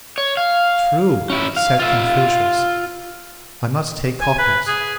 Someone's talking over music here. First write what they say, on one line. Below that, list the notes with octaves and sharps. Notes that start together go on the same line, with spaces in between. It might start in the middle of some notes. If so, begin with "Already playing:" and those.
True, said Confucius; I must take office.
C#5
F5
C#4 E4
F5
F4 E5
G#5
B4
G#4